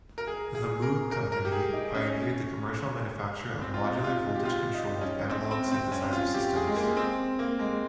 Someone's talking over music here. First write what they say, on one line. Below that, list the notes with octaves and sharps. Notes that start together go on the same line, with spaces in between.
The Moog company pioneered the commercial manufacture of modular voltage-controlled analog synthesizer systems.
A#4
G#4
G#4
A#4
A#4
A#4
G4
G#4
D#4
C#4
C4
F4
D#4
D#4
F4
G4
F4
D#4
C#4
C4
C4
C4
C#4
F4
G4
G#4
G#3
A#3
C4
A#3
G#3